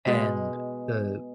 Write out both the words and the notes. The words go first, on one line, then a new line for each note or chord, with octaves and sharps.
And the
B2 G#3